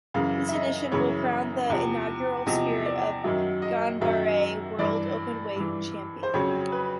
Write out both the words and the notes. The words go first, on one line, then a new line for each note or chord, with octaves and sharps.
This edition will crown the inaugural Spirit of Ganbare World Openweight Champion.
F#2 C#3 E3 F5
E5
D#5
F#2 C#3 E3 C#5
E2 C3 F3
E2 C3 F3 D#5
D5
F#2 D#3 F#3 E5
D#5
F#2 D#3 F#3 E5
G2 E3 D5
G2 E3
C5
F2 C#3 F#3 C#5
B4